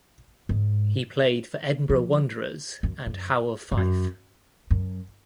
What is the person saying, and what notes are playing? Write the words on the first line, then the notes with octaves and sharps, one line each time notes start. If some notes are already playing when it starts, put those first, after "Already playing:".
He played for Edinburgh Wanderers and Howe of Fife.
G#2
F3
F#2
F#2
G#2
F#2
F#2